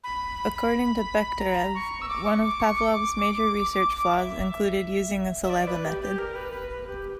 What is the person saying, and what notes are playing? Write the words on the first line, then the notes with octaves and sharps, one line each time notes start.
According to Bekhterev, one of Pavlov's major research flaws included using a saliva method.
B5
A#5
C#6
E6
D6
C#6
D6
C#6
D6
E5
E5
D5
B4
G4
G4
A#4
B4
B4
B4
G4